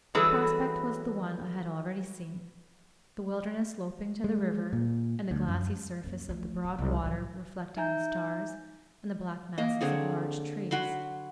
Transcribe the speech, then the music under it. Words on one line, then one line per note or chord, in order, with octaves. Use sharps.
The prospect was the one I had already seen--the wilderness sloping to the river, and the glassy surface of the broad water, reflecting the stars, and the black masses of large trees.
E3 F#3 G3 G#4 A4 B4
G#3
A#2
D2
F#2
F#2 A#3
F3 A3
D1
C2
A2 F#3
D#4 E5 G#5 A#5 G6
A#3 D#5
D3 C4 G#4 C#5
F#3 F#4 B5 C6